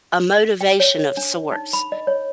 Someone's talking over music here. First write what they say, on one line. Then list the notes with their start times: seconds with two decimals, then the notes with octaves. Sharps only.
a motivation of sorts,
0.61 G5
0.80 C#5
1.17 D4
1.52 D#4
1.73 B5
1.92 D#5
2.07 C#5